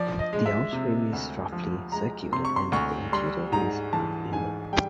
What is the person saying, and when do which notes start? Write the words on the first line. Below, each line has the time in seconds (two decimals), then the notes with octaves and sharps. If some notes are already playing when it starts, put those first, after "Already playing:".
The outer rim is roughly circular, and the interior is uneven.
Already playing: F3 D5
0.19 D#5
0.33 G#3
0.46 E5
0.73 C3
1.13 D2
1.52 F3
1.92 G#3 A#5
2.32 C3 C6
2.45 C#6
2.56 C6
2.72 D2 C#6
3.12 G3 C6
3.52 G#2 A#5
3.93 E3 A5
4.33 G#2 G#5
4.73 G3 G5